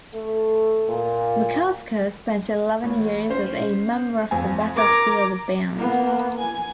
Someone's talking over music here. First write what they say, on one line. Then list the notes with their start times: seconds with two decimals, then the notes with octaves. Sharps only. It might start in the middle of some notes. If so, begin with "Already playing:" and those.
McCusker spent eleven years as a member of the Battlefield Band.
0.14 A3
0.89 A#2
2.83 A1
3.30 C#4 C5
4.31 F2 G#5
4.76 A#4 A#5 D6 G#6
5.76 A#3 B3
6.39 G#5